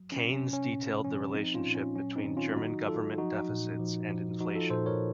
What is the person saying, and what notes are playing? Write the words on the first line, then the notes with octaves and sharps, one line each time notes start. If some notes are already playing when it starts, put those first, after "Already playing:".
Keynes detailed the relationship between German government deficits and inflation.
Already playing: F#3
C3 C#4
C#4
C3
C#4
A#2 C#4
F3 C#4
F3 C4 D#4
C#4 F4
A#2
C#4
F#3 C#4
C4 D#4
D#3
C#4 F4
F#3 D#4 F#4
F#3 F4 A4
F3 D#4 F#4
A#2
F3
F3
F3 D#4 F#4
F4 A4
A#2 A4 C5
A#4 C#5